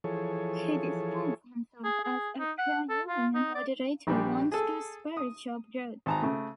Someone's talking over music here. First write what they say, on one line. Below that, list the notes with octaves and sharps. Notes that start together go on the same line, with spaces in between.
He describes himself as a pro-union moderate who wants to spur job growth.
E3 F3 G#4 A4 C#5
G#4
G#4
D#4
F#5
A4
F4
D#4
D5
A#1 G3 D4 G4
G#4 A4
D#6
G#1 A5 A#5
C#3 A3